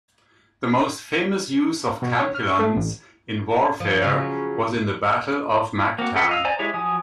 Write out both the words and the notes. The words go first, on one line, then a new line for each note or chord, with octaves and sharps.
The most famous use of kampilans in warfare was in the Battle of Mactan.
B2
C#5
F6
C#6
A3
A1
F3
C#3 F#3 C#4 F4
A#3 C4 F#4
G#4 A4 B4 F#5 G5
D#5 F5 E6
C5 D5 G#5 A#5
G#3 E4 G4 G#4 C#5
F3 F#3 G#5 D#6